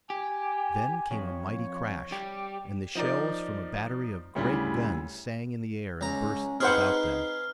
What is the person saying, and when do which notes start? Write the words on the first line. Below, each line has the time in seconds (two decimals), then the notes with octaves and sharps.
Then came a mighty crash and the shells from a battery of great guns sang in the air and burst about them.
0.10 G4 G#5
1.11 F2 C#5
2.12 G3 G4
2.95 F3 D#4 A#4 D5
4.35 D2 C#3 G3 E4
6.01 C#2 C#4 A#5
6.60 C4 D#4 G#4 B4 C5 F5 F#5 F6